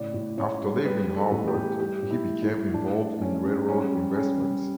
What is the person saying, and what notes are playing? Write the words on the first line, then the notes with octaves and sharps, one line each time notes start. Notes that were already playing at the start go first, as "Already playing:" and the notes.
After leaving Harvard he became involved in railroad investments.
Already playing: A2 C#3 D5
A2
A2 C#5
G3
G3 B4
G3
A4
A2
G4
A2
G3 G4
A2
E4
G3
E4
G3
A2 D4
A2
G3 C#4
G3
G3 C#4
G3
G3 C#4
G3